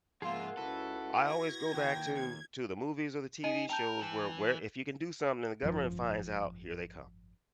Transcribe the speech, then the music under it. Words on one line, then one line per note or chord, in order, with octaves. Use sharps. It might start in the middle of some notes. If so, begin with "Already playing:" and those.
I always go back to, to the movies or the TV shows where, where if you can do something and the government finds out, here they come.
G#2 F3 A#3 F4 G#4 E5 F#5
C#2 E4 F#4 A4 B4
G#6 A#6
D#2 G5
G#6
D#4 G#4 D#5 D#7
A#4 G5 A5 G6
E3
G#1 F#2 F3